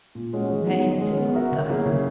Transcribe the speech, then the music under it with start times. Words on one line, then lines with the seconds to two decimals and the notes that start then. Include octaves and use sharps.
Nace! you're not dying!
0.15 A#2
0.33 G#3 C#4 F#4
0.50 G#3
0.66 B3 D#4 F#4 C#5
0.84 D#3
1.01 G#3 C#4
1.18 B3
1.34 F#4 A#4 E5
1.52 C#3
1.69 F#3 A#3 E4 G#4
1.86 C#3